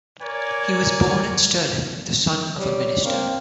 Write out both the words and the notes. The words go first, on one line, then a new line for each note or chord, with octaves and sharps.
He was born at Stirling, the son of a minister.
A#4 C#5 D5 G#5
G3 C#5
A#3 C4